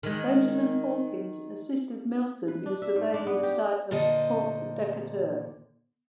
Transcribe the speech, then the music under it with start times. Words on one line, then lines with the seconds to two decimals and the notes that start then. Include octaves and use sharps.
Benjamin Hawkins assisted Milton in surveying the site of Fort Decatur.
0.03 D#3 G#3
2.48 B4
2.66 D4
2.82 E5
2.95 G#2
3.14 D4
3.27 B3
3.43 G4
3.91 A#2 D3 C5 D#5 A5